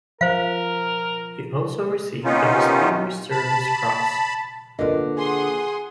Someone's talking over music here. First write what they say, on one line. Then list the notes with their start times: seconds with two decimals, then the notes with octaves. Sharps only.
He also received a Distinguished Service Cross.
0.21 F3 A#4 C5 F5
2.24 C3 D#3 B3 C#4 D#4 F4
3.31 A5 B5
4.79 D3 A#3 F4 B4 D#5
5.18 G#4 F#5 C6 D#6